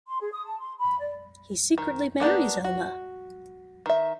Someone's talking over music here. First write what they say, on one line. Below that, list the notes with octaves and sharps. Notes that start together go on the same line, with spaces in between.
He secretly marries Elma.
C6
G#4
D#6
A5
C6
B5
D5
D#3
A#3 B3 D4 G4
F#4
D#3 E5